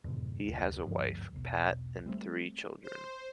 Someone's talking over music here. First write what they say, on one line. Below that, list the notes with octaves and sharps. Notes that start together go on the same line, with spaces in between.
He has a wife, Pat, and three children.
F2 G#2 B2 D3
F1 D2
G#1 D2 G2 F3
E1 B1
G3 A3 C4
C5